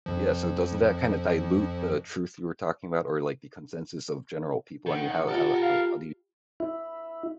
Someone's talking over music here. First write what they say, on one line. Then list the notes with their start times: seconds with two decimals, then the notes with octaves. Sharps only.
Yeah, so doesn't that kinda dilute the truth you were talking about or, like, the consensus of general people? I mean, how how how do you
0.06 F2 F3
4.86 D#3 F#5
5.28 F4 G4 A4 A#4
5.61 F5
6.60 E4